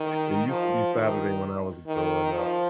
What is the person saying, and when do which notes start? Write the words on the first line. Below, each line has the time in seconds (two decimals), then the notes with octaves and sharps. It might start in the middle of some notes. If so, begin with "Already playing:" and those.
It used to be Saturday when I was growing up.
Already playing: D#3
0.49 F3
0.95 D#3
1.87 D#3
2.33 F3